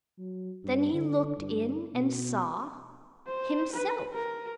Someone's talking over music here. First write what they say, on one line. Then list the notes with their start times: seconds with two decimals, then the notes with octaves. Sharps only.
Then he looked in and saw--himself.
0.18 F#3
0.64 G2
0.93 D3
1.37 G2
1.94 B2
3.27 C5
3.72 B4
4.13 A#4